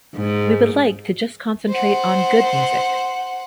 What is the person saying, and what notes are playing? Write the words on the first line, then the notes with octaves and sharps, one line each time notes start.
We would like to just concentrate on good music.
G#2
C5 F#5